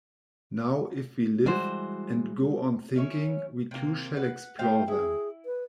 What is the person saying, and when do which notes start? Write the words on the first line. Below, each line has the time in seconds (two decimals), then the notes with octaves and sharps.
Now if we live, and go on thinking, we too shall explore them.
1.46 E3 G3 G#3 F#4 C5
2.96 C#4 E4 C#5
3.71 C3 A#3
4.16 B4 F#5
4.59 A3 F4 C5 G5
4.88 E4 G#4
5.46 B4